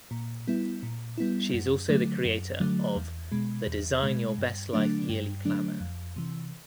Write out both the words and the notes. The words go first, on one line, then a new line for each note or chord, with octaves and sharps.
She is also the creator of The Design Your Best Life Yearly Planner.
A#2
G3 B3 E4
A#2
G3 B3 E4
F#2
D3 F#3 A3
F#2
D3 F#3 A3
E2
B2 G#3
E2
B2 G#3
G2
D3 F#3 A3 D4
G2
D3 F#3 A3 D4
F2
C3 E3